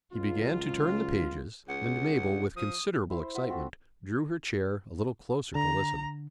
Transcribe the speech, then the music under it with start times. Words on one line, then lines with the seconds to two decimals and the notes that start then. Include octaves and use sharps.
He began to turn the pages, and Mabel, with considerable excitement, drew her chair a little closer to listen.
0.13 C#2 F#3 F4
1.68 C#2 F#5
2.56 F3 D#6
3.10 E4 C5
3.35 F4 E5 F#5
3.50 C4 F#4 A4
5.55 D3 A#5